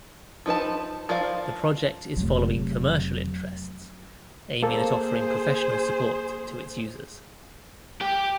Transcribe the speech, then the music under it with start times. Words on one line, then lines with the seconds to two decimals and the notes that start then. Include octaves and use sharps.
The project is following commercial interests, aiming at offering professional support to its users.
0.46 F3 D#4 B4 A5
1.09 F3 A#4 D5 F5
2.16 F1 F#3
4.63 A#3 G#4 A4 C5
8.01 G4